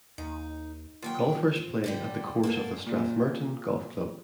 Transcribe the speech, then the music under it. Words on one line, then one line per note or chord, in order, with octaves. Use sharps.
Golfers play at the course of the Strathmerton Golf Club.
D#2 D#4
D#2 F#3 F4 G5
C4
D3 G3 G4
A#3 B3 A4
A#2